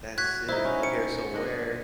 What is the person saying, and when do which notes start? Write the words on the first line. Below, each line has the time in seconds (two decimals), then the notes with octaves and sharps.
That's sick. Okay, so where
0.18 F#4 F#6 G#6 B6
0.49 D#4 E4 C5 E5
0.65 C#4 F#4
0.83 G5 C#7
1.34 D3 D4 D#5